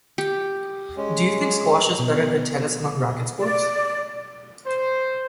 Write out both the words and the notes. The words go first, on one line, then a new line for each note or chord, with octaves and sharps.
Do you think Squash is better than Tennis among Racket Sports?
G4
G#3 C#4
B2
D5
C5